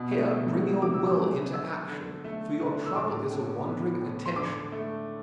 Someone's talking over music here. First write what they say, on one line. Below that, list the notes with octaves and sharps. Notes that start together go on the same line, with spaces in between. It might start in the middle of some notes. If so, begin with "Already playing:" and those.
Here bring your will into action, for your trouble is a wandering attention.
Already playing: B2
A3
F#3
F#3 D6
E6
D6
F#3
D3 E6
D3
A3
D3
E6
A2 D6
A2
B3
A2
C6
D3 D6
A3